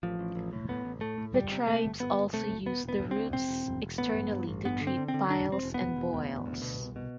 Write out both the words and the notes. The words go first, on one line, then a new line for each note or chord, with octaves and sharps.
The tribes also used the roots externally to treat piles and boils.
A1 F3
A1
A1
A2
A2 B3
A1
A2 A3
A2
G1 G3
C3
C3 A3
G1
G1 B3
G1
C3 A3
G1
E1 B3
E1
B3
D2
D2 C4
E1 C4
E1
E1
E1
A1 B3
G2
G2
A1
G2 B3
D3
C4
D3
C4
D3
E1 D4
E1
C4
E1
B3
E1
E1
D2
E1
D2
B2
C2
B2